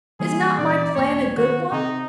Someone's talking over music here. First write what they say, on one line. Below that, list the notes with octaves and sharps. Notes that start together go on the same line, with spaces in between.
Is not my plan a good one?'
E3 G3 A#3 G#4
A#2 E3 C#4 D5
E1 G#2 A#3 C#5
D#3 F#4
C3 C4 D#4